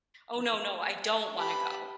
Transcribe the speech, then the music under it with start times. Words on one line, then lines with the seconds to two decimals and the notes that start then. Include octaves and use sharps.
"Oh, no, no, I don't wanna go,"
1.37 G4 B4 A5 B5